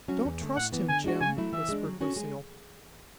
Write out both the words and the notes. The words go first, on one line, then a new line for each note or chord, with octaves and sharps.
"Don't trust him, Jim," whispered Lucille.
F#3 C#4 F#4
E2
D3 A3
A2 F#5
E3 B3
D3 G#5
G#3 D4 F#4
C#3 G#5
F#3 A3 E4
E3 E5
G#3 D4
F#3
C#4 F#4 A4 C#5
G#3